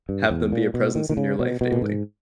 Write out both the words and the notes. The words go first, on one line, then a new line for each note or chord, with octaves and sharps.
have them be a presence in your life daily.
G2
E2
A#2
B2
D#3
D#3
C#3
B2
B2
A#2
G#2